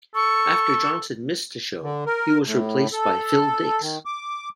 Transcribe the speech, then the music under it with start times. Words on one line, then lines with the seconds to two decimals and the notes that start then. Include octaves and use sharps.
After Johnson missed a show, he was replaced by Phil Dix.
0.15 A4 C#6
1.83 D3
2.06 A#4
2.46 A2
2.93 A4
3.81 D#3
4.05 D6